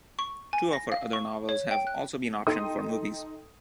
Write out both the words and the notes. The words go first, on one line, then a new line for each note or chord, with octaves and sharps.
Two of her other novels have also been optioned for movies.
C#6
G#5
A#6
F5
C#6
C#5
G5
F#6
D#4 A4 G5 C6 D#6